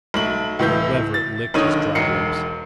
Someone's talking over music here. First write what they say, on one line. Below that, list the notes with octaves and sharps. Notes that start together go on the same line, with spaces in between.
Leverett licked his dry lips.
B1 A3 F#7
C#2 A2 E3 G6
A6
B1 D3 D#3 C#5 D#6 D#7
E1 B1 C7 C#7